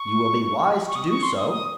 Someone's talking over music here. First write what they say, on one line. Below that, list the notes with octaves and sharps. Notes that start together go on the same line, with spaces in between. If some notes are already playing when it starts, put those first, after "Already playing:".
"You will be wise to do so."
Already playing: C#6
C#6
D#6
C#6
C6
D#6
D#6